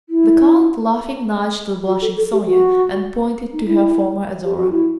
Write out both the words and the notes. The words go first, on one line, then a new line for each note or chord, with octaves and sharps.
The count, laughing, nudged the blushing Sonya and pointed to her former adorer.
E4
F#4
A4
A4
G4
F#4
D#4
E4
G4
F#4
E4